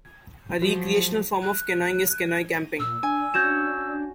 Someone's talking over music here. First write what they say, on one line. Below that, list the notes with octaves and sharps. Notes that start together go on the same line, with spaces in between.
A recreational form of canoeing is canoe camping.
F3 F#3 F#4
F#6
A#2 E6
D4 G#5
C#4 F#4 G6 G#6 E7